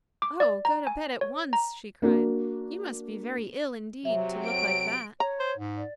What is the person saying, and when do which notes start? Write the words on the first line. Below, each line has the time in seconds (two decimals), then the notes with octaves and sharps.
'Oh! go to bed at once,' she cried; 'you must be very ill indeed to look like that!'
0.22 D6
0.40 D5
0.65 A#5
0.87 G#5
1.21 C#5
1.53 A#5
2.02 A#3 D4 F#4
4.05 C3 F#3 E5
4.46 D7
5.20 C#5 A#5
5.39 C5
5.57 G#2
5.77 D5